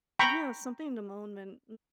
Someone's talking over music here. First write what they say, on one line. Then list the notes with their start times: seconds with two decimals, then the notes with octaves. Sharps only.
yeah, something in the moment
0.19 G5 A#5 B5 C#6